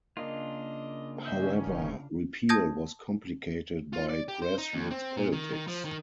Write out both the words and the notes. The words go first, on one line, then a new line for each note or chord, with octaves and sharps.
However, repeal was complicated by grassroots politics.
C#3 A#3 D4 F4 D#5
G2 D#3 C#4 C5 D#5 E5
E1 D#4 E4
A5 D#6 G6 G#6 A#6
F4
D5
G4
C5
D#4
D#2
C4
A#2
D#3
D#3
F3
D#3